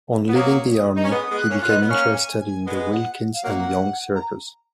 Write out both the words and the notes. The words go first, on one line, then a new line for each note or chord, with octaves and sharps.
On leaving the army he became interested in the "Wilkins and Young Circus".
B3
F#3 A#3 D#6
D#4
C#4
G#3 B3 D#6
G#3 B3
F#6
A#3 C#4
F4 F#6
B3 D#4
B3
A#3 C#4 F6
G#5
G#5
G#3 B3
F#5
F5
F#3 A#3 F#5
A#5